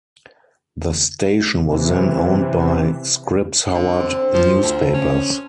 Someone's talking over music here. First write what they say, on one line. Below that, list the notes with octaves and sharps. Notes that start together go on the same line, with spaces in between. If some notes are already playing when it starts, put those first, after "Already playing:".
The station was then owned by Scripps-Howard Newspapers.
C3 E3
D3
C4
F3
D2 A5
C#4